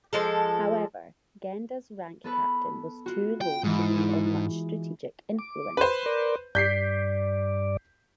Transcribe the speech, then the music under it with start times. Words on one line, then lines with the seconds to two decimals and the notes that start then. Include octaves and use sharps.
However, Genda's rank-captain-was too low to be of much strategic influence.
0.13 F3 G#3 A4
2.24 B3 A4 B4
3.06 F4 F#4
3.41 G5
3.64 G#2 E3 G#3
5.39 D6
5.77 B4 C5
6.06 A#4 D5
6.55 G2 D5 G6 B6 C7